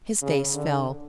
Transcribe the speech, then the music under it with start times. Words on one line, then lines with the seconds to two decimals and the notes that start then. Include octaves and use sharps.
His face fell.
0.22 C#3
0.54 D3